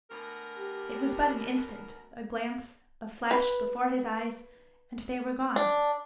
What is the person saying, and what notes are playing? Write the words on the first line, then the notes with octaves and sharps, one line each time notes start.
It was but an instant, a glance, a flash, before his eyes; and they were gone.
D2 B2 A#4
G4
B4
D4